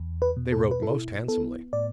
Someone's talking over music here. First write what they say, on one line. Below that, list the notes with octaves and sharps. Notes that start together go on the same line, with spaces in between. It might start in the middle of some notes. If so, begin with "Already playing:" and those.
They wrote most handsomely.
Already playing: E2
B4
B2
A4
B4
E4 A4
B3 A4
A2 D5